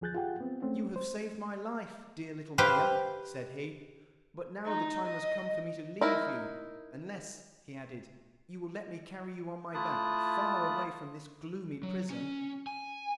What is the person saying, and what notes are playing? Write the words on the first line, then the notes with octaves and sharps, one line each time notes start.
'You have saved my life, dear little Maia,' said he; 'but now the time has come for me to leave you--unless,' he added, 'you will let me carry you on my back far away from this gloomy prison.'
D2 F3 G#4 F#6 G6 A6
F4 G4 G#4 F#5 G5
B3 C4
A3 C4 C#4
C5
G4 B4 C5 F5
D#4
D#5
D#4 E4 A#4
A3 E4 F4 A5 D#6 F#6
F#3
C#4
G#5